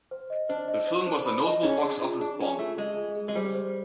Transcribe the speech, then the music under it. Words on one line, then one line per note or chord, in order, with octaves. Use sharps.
The film was a notable box-office bomb.
C5
D#5
D4 C5
D#5
C5
D4 C5
B5
D#5
C#4 G#4
D4 G#4
F4
D4 G#4
C#4 G#4
A3 F4
G#3 G#4
G#4
G#4
G#3
G3 C5
C5